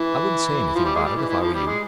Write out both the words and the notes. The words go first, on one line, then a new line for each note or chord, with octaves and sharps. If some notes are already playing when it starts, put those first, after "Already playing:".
I wouldn't say anything about it if I were you.
Already playing: E3
E3
F3
G3
G#3
G3
E3
E3
F3
G3
G#3